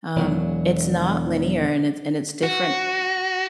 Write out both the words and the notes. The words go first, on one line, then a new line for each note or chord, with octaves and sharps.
um, it's not linear and it's and it's different
E1 E2 F#3
F#4